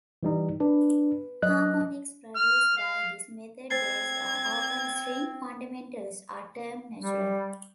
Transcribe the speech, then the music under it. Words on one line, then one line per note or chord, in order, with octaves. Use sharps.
Harmonics produced by this method based on open-string fundamentals are termed natural.
E3 G3 D#4
D4 B4
F#3 D#5 F#6
F6
F5
C4 C5 G#6 A6 C7
G3